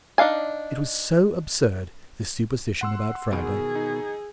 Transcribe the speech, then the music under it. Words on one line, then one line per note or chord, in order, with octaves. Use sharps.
It was so absurd, this superstition about Friday.
D4 D#4 F5 G#5
F#5 C6 E6
B2 D#3 G#4
D#4